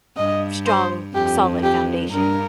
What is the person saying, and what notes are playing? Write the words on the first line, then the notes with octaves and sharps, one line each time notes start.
strong, solid foundation.
G2 D#5
C5
F2 G4
G4
G2 A#4